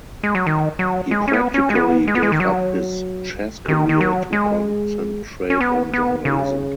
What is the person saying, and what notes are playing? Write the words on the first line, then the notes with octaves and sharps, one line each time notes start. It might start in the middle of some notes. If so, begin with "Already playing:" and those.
He practically gave up his chess career to concentrate on journalism.
G#3
F#3
D#3
F#3
G#3
C#4
B3
C#4
G#3
B3
G#3
B3
G#3
D#3
F#3
D#3
D#3
F#3
G#3
C#4
B3
B3
C#3